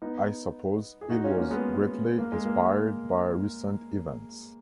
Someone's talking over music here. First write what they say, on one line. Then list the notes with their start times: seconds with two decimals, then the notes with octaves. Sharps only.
I suppose it was greatly inspired by recent events.
0.02 B3 D#4
1.01 G#4
1.10 D#4 F#4
1.23 C#4 F4
1.37 A#3 C#4
1.50 G#3 B3
2.18 A#3
2.32 G#3
2.45 A#3